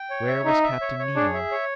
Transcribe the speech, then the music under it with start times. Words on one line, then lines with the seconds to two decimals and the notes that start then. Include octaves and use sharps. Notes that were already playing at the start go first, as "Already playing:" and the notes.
Where was Captain Nemo?
Already playing: G5
0.10 C#5
0.28 E5
0.45 D#4 E5
0.63 E5
0.81 C#5
0.99 C#5
1.16 D4 G#4
1.34 E5
1.51 C#5